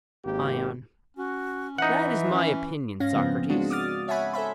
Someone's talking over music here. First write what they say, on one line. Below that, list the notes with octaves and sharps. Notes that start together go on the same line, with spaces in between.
ION: That is my opinion, Socrates.
G#1 A#3 G4
C#4 F#4
E3 D#4 E5 F#5
C#4
G#2 C#4 F5 A#6
C#3 F3 B3 C4
G#3 D4 F#4
D6 D#6 F6 A6
C#5 E5 F#5 G#5 B5
A4 C5 E5 B5